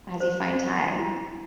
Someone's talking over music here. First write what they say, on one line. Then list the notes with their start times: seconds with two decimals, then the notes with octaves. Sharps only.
as you find time.
0.20 C5
0.99 E4